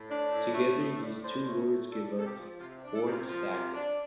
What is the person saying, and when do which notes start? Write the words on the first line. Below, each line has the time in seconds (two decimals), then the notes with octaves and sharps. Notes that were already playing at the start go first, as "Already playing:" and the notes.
Together these two words give us "Horn Stacket".
Already playing: A2
0.09 D4
0.31 A2
0.54 A3
0.77 A2
1.00 D4
1.23 A2 C5
1.45 A3
1.68 A2
1.91 D4 A4
2.14 C3 A4
2.25 G4
2.37 F3
2.59 C3 F4
2.83 D4
2.94 A4
3.05 C3
3.11 F4
3.28 F3 F4
3.51 C3
3.73 D4